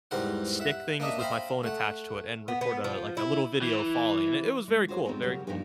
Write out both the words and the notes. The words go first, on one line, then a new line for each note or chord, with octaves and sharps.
stick things with my phone attached to it and record a like, a little video falling, and it it was very cool, very cool.
E2 G#2 G3 A#4 C5 F#5
E5 F#5
A#3 D4 D#5 E5
C5 E5 F5 G5 A#5 B5
A3 F#5
B3
B3
F3
E4
E3
G#3
F4 F#4 G#4 C5 C#5 F#5
G#3 A3 B3 C4 D#4
C#3 F#3 G4 A#4 C#5
G2 A#2 D#3 F3 D#4 G4